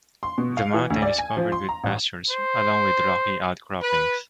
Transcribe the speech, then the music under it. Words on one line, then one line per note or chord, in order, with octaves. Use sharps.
The mountain is covered with pastures along with rocky outcroppings.
C6
B2
F5
E3
D2
D5
G#5
F3
C6
A#5
A1
C5
B4